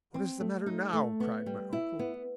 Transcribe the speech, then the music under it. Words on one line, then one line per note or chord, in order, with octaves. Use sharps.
"What is the matter now?" cried my uncle.
C4
A3
D#4
A3
B3
G3
E4
B3